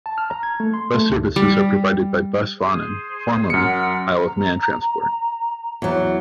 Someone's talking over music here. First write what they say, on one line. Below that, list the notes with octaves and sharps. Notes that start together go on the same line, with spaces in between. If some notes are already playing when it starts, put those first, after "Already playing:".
Bus services are provided by Bus Vannin, formerly Isle of Man Transport.
A5
F6
A#5
G#6
A3
C6
A3
D2
G3
G#4 C5
F#2 F#5 E6 F6 C#7
A#5
E2 F#3